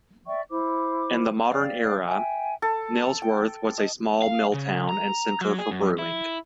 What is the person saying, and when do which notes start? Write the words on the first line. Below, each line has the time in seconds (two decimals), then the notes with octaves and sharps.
In the modern era Nailsworth was a small mill town and centre for brewing.
0.27 D5 E5 G5 C#6
0.50 E4 C5 D6
1.46 D5 F5 G5
2.06 E5 G5 G#5
2.62 A4
3.22 G5
3.78 D#5
4.22 F5
4.54 C#3
4.89 A#5
5.41 F#3
5.59 G#4
5.71 F#2
5.98 E4